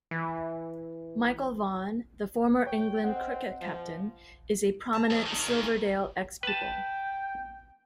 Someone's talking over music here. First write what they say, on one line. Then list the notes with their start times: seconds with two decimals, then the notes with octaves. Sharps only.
Michael Vaughan, the former England cricket captain, is a prominent Silverdale ex-pupil.
0.11 E3
2.67 C#5 G5
3.04 C4 D#5 F#5
3.61 F3
4.93 A5 A#5
5.11 F2
5.26 C2 D#3
5.48 C#3 E3 A#3
6.43 B4 G5 A5